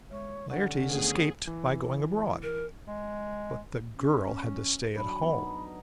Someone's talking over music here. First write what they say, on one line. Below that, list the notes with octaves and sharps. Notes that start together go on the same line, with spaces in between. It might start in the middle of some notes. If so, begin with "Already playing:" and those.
Laertes escaped by going abroad, but the girl had to stay at home.
G#3 C#5
D3 C#4 D4 G4 F#5 C#6
D#3 A3 B3 G#4
E3
A#4
G#3
C#4
F#3 D4 B5
B3
D#4